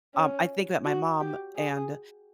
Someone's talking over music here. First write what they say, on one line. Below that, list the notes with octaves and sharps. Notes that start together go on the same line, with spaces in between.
um, I think that my mom and
C#4
F#4
G4
G#4